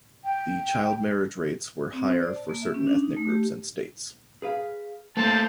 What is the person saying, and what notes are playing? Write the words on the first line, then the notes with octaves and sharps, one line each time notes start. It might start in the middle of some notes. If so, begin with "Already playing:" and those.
The child marriage rates were higher for certain ethnic groups and states.
G5
C4
C5
D5
A5
A#3
E5
C#4
D4
D#4
A3
G4
G#4 B4 F5
A3 A#3 A4 C5 A5